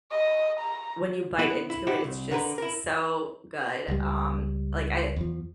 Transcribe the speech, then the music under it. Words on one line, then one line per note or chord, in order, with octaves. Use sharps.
when you bite into it, it's just so good, um, like, I
D#5
A#5
B3 E4 B4
E4
D#4 E4 F#4 G4
C2
D3 A#4 B4 A#5
E4 A#4
C#2 G3
E2 F3